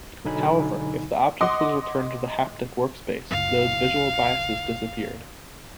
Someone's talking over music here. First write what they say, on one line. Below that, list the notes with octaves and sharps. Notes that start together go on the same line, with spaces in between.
However, if the object was returned to the haptic workspace, those visual biases disappeared.
B1 D3 F#3 D#4 G#5 B5
D#5 F#5 C6 D6 D#6
F#1 C#2 F5